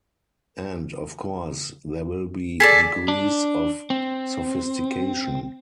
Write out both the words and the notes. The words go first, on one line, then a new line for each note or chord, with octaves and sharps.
And, of course, there will be degrees of sophistication.
G#4 A4 D5 B6
D4
C4